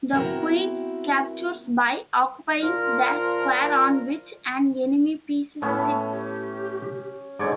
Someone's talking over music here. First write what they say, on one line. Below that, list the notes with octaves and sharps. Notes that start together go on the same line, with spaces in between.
The queen captures by occupying the square on which an enemy piece sits.
B3 C4 E4 F#4 A#4 G5
A#2 F3 F4 A#4
A2 A3 B3 C#4 A5
G4
G#2 B2 D3 C#5 D5